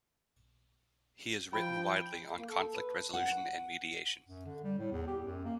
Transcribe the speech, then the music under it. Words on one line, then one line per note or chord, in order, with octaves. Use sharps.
He has written widely on conflict resolution and mediation.
F3 G5 B5
A#3
A4
B4
F#5
F#2
D3
G3
A2
E2
G4
F#2
A#3